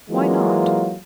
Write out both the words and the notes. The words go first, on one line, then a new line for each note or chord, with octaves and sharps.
"Why not?"
E3 F#3 G#3 A#3 F4